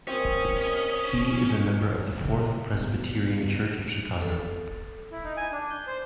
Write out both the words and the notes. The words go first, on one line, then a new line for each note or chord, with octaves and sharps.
He is a member of the Fourth Presbyterian Church of Chicago.
D#2 C4 C#4 D#6
C#3 B3
A4
E4
D#4
G#5
D4
G6
C5